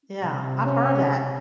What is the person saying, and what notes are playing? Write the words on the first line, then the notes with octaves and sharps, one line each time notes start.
Yeah, I've heard that,
C3
C#4